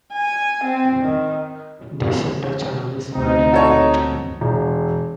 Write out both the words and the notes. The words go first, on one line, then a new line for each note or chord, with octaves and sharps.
The center channel is wide and deep.
G#5
C4
D#3
D2 C4 D#4
F#4 A4 C#5
E1